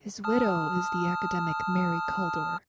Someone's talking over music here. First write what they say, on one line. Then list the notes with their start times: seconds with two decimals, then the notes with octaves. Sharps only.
His widow is the academic Mary Kaldor.
0.24 A5 D#6 F6